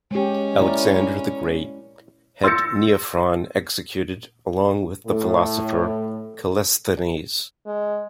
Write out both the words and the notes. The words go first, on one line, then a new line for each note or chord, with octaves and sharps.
Alexander the Great had Neophron executed along with the philosopher Callisthenes.
G#3 C#4 G4
E4 A#4 D5
C6 E6 G6 A6 A#6 C#7
A2
G#3